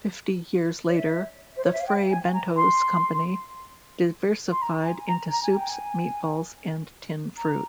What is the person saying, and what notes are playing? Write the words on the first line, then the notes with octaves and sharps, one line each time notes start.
Fifty years later, the Fray Bentos company diversified into soups, meatballs and tinned fruit.
C#5
E5
C5
C#5
E5
F5
G5
G#5
A#5
C6
C6
A#5
G#5
A#5
A#5
G#5
G5
G#5
A#5